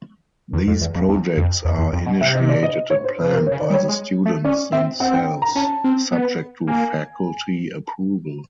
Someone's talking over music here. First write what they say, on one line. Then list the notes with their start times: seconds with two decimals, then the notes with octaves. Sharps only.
These projects are initiated and planned by the students themselves, subject to faculty approval.
0.53 E2
0.67 F2
0.81 E2
0.95 F2
1.08 E2
1.37 F2
1.65 E2
1.78 E2
1.93 F2
2.06 B2
2.21 C3 E5
2.35 D#5
2.49 D5
2.63 D#5
2.90 C#5
3.04 C5
3.19 B4
3.24 C#3
3.33 C3 A#4
3.46 C#5
3.51 C#3
3.60 D5
3.70 G3
3.74 C#5
3.88 G#3
4.26 A3
4.44 C#4 D5
4.72 C4 E5
5.00 C4 F#5
5.14 G5
5.42 A#5
5.55 C#4 A5
5.84 C4
6.11 B3
6.67 A#3 G#5